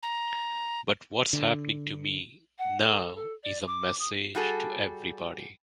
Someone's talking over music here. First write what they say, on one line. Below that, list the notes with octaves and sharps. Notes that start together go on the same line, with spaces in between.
But what's happening to me now is a message to everybody.
A#5
D3
F#5
A4
A4
D5
D6
D#6
G3 F#4 G#4 A4